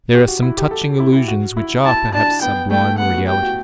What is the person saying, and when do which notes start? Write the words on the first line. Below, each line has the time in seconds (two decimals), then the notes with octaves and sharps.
There are some touching illusions which are, perhaps, sublime realities.
0.15 G4
0.28 F#4
0.42 E4
0.57 G4
0.71 A4
1.00 E4
1.13 E4
1.28 F#4
1.57 E4
1.85 E4 A5
2.14 D4 A5
2.42 B3 G5
2.71 A3 G5
2.99 B3 F#5
3.14 F#4
3.27 G4 G5
3.43 F#4